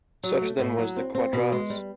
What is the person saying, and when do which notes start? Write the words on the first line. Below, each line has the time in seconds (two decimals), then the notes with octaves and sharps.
Such then was Quadratus.
0.24 F#3
0.41 A3
0.59 A2
0.78 F#3
0.96 C4
1.15 C4
1.33 B2
1.52 G#3
1.70 G3